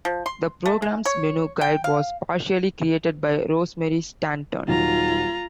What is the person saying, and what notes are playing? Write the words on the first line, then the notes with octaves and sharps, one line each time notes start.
The program's menu guide was partially created by Rosemary Stanton.
F3
C6
A3
G#3
C#5
G5
F5
D#1 D#3 F#3 F4 A#5